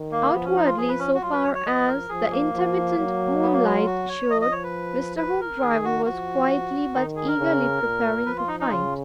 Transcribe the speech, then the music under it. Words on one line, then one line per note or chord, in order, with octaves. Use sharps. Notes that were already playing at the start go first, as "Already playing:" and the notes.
Outwardly, so far as the intermittent moonlight showed, Mr. Hoopdriver was quietly but eagerly prepared to fight.
Already playing: D#3
A#3
F3 B3
C#4
D#4
F4
F3 G#4
B4
C#4
F#4
F#3 F4
B4
C#5
C#5
F3 D#5
A#4
F3 G#4
A#3
F3
F#3
B3
A#3
B3
F4
F#4
C#5
F3 D#5
D#5
C#5
B4
B4
A#4
D#3 G#4
F#4
F3 F#4
D#3 D#4
G#4
A#4
C#3
A#2
F3 B4
F4
D#4
D#4
C#3 F4